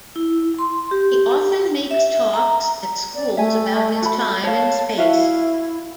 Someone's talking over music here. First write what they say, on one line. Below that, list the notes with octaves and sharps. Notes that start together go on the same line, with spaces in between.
He often makes talks at schools about his time in space.
E4
C6
G4
E5
A#5
D5
A3 E5 G#5
F#4 G#5 B5
C#5 F5 A5
E4 F#4 E5 F5